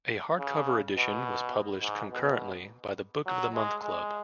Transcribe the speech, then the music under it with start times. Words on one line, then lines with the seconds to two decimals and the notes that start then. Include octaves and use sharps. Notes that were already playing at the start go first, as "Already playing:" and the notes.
A hardcover edition was published concurrently by the Book of the Month Club.
0.39 C#3
0.97 B2
1.83 G#2
2.11 B2
3.27 F#3
3.55 G#3
3.84 G#3